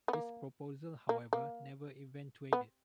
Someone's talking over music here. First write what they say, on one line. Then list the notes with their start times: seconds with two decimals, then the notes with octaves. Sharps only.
This proposal however, never eventuated.
0.08 B3
0.13 A#3
1.09 A#3
1.33 A#3
2.53 B3